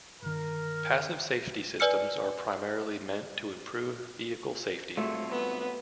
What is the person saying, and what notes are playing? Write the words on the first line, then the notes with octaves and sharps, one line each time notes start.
Passive safety systems are primarily meant to improve vehicle safety.
G1 D#3 A#4
B4 D5 G#5 E6 F6 C#7
C2 F#3 A3 F4
B3